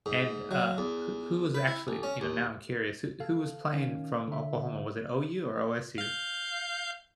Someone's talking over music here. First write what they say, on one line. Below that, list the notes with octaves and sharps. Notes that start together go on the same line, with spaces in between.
And, uh, wh who's actually you know, now, I'm curious wh who was playing from Oklahoma, was it OU or OSU?
G#2
F#3
E2
B4
E4
A1
C#4
D#2
A4 F5
D#3 C#4 F5
D3 E5
F5 G6